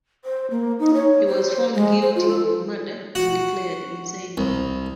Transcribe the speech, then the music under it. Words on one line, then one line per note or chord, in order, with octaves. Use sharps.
He was found guilty of murder and declared insane.
C5
A#3
D#4
C#5
C5
G#3
C5
F4
A4
F#4
C2